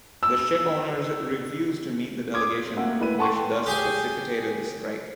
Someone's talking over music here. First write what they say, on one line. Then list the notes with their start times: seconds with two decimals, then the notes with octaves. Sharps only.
The Shipowners refused to meet the delegation, which thus precipitated the strike.
0.23 E6
2.34 D6 D#6 G#6 D7
2.77 A3 A#3 F#5
3.00 E4 B4 D#7
3.19 F#5 G5 A5 C6 C#6
3.66 G4 G#4 G5 G#5